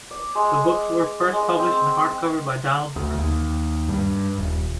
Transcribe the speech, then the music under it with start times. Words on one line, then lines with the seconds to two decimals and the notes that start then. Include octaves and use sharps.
The books were first published in hardcover by Donald the First.
0.11 D5
0.35 G#3
1.33 G#3 D#5
1.59 C4
2.96 D2
3.19 D#2
3.88 G2
4.38 D#1